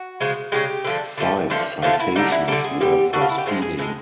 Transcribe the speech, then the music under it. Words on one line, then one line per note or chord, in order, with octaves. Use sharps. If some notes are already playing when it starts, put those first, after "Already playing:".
Five citations were for speeding.
Already playing: F#4
C#3 F3 G#3
C#3 F3 G#3 G4
D3 F3 A3
D3 F3 A3
D3 F3 A3
D3 F3 A3 F4
E4
D3 G3 D#4
E4
D3 G3 A4
G#4
D3 G3 G4
D3 G3 F#4
F4
E4
G4
A2 F3 G#3 G#4
G#4
A2 F3 G#3 G#4